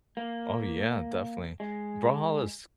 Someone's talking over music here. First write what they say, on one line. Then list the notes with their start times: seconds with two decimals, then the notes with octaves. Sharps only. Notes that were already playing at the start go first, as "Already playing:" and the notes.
Oh yeah, definitely. Brawlhalla is
0.17 A#3
1.60 G#3